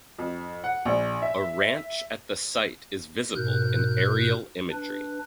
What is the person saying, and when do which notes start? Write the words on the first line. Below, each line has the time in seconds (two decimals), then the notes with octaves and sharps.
A ranch at the site is visible in aerial imagery.
0.18 F2
0.64 F#5
0.85 A#1
1.22 E5
3.35 G#2 B2 A#4 F#6 G6
4.72 D4 B4